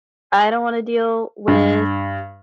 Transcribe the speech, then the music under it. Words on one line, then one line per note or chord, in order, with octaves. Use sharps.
I don't wanna deal with,
G2